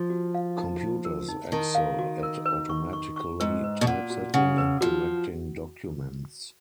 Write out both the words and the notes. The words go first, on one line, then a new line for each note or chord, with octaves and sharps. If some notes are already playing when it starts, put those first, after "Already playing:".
Computers excel at automatically typesetting and correcting documents.
Already playing: F3
F#4
F5
D#4
D#4
A#4
D#4
D#3 D#4
F5
F#4
A#4
B4
C#6
C#6
C#6
G#2 B4
B4
B2
A#2 F#5
F#4
C#3 F#5
B4
F3 F#4